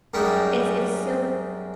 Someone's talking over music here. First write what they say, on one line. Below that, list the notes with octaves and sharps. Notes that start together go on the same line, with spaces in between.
it's it's so
F#2 G3 G#3 D#4